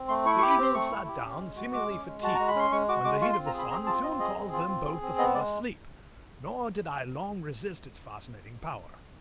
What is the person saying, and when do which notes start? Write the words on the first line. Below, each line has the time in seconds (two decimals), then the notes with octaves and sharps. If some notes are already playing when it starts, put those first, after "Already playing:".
The eagles sat down seemingly fatigued, when the heat of the sun soon caused them both to fall asleep, nor did I long resist its fascinating power.
Already playing: C4
0.08 A3 C6
0.25 E4 C#6
0.38 C#6
0.42 G4
0.50 B5
0.58 C4 C6
0.74 A3 C#6
0.91 E4
1.08 G4
1.25 C#4
1.40 G#3
1.57 F#4
1.73 G#3 D6
1.90 C#4
2.07 G#3
2.22 F#4 A5
2.35 G#3 A#5
2.48 B5
2.56 C#4 C6
2.71 G#3 C#6
2.89 F#4 D6
3.04 G#3 D6
3.21 F4 C#6
3.33 C6
3.37 C4
3.46 A#5
3.54 G#4 B5
3.71 C4 A#5
3.86 F4 A5
4.03 C4 D#5
4.19 G#4 D#5
4.36 C4
4.52 F4
4.68 C4
4.86 G#4
5.02 C4
5.18 B3 D#5
5.34 G#3 D5